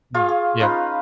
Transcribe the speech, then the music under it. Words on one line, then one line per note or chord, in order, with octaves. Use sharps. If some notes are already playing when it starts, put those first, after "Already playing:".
Mhm, yeah.
F4 G#4 F5 C#6
G#4
C#4 D#4 F4 B4